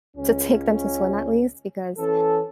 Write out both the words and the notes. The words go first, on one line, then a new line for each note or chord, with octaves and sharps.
to take them to swim at least because
C#2 C#4
E3 C#4 A4